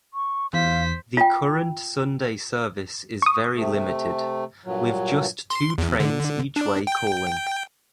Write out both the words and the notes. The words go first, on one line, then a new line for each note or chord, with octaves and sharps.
The current Sunday service is very limited, with just two trains each way calling.
C#6
E2 C5 F5 B6
F4 G5
C#6 D#6
C3 A3
G2 A#2 F#3
C6
E2
D3
D4
G5